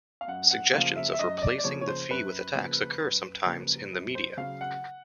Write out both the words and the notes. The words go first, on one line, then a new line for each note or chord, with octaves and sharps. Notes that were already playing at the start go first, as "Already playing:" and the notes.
Suggestions of replacing the fee with a tax occur sometimes in the media.
F5
F#2 F#5
F#5
C#3 F3 A#3 F5
E5
E5
F#2 D#5
D#5
D5
D5
C#3 F3 A#3 C#5
C#5
C5
F#2 B4
C#3 F3 A#3
F#2
C#3 F3 A#3
F#2
C5
C#3 F#3 F5
F#5